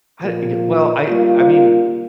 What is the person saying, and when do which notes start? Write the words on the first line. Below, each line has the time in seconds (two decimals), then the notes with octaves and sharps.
I y well, I I mean,
0.22 A#2 F3 A#3 F4
1.10 G3 A#3 F4